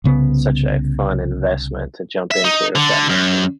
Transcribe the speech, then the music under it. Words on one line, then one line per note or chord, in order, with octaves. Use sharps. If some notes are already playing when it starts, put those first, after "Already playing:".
such a fun investment to jump into, if that makes sense.
C2 C#3 B3
E5
D#4
D3
F#2